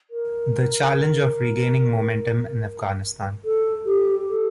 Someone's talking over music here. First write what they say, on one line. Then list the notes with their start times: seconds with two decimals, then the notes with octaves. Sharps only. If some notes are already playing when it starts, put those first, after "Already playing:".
The Challenge of Regaining Momentum in Afghanistan.
0.10 A#4
3.44 A4
3.86 G4
4.28 A4